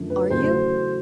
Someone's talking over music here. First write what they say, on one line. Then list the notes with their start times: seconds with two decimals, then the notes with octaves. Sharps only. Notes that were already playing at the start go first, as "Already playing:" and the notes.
"Are you?"
Already playing: F#2 D3 F3 A3
0.10 B4
0.30 E2 C#3 F#3 A3 C5